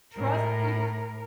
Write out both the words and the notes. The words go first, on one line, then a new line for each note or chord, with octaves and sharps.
Trust you
A2 A#4